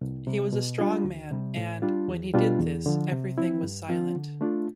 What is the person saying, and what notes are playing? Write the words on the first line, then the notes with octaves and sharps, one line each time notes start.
He was a strong man and, when he did this, everything was silent.
C2
C3 G3
B2
G3 D4 F4
D2
C3 G3
A2
G3 D4 F4
E2
B2 G3 D4 F4
E2
D3 F3
C3
F3 C4 E4
G2
F3 C4 F4
D3
A3 D4 F4